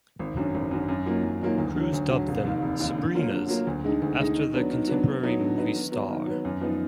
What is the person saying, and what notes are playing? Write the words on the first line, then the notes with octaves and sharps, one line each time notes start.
Crews dubbed them "Sabrinas" after the contemporary movie star.
G#1
F#2 D3 F#3
G#1
F#2 D3 F#3
F#2
D#3 F#3 A#3 F4
F#2
D#3 F#3 A#3 F4
D2
D3 F#3
D2
D3 F#3
F1
D#2 D#3
F1
D#2 D#3
D3
F#3 A#3 F4
D3
F#3 A#3 F4
D2
D3 G#3 D#4
D2
D3 G#3 D#4
D#3
F#3 B3 D4
D#3
F#3 B3 D4
D3
F#3 B3 D#4
D3
F#3 B3 D#4
D#3
F#3 B3
D#3
F#3 B3
F#2
F3 B3 D#4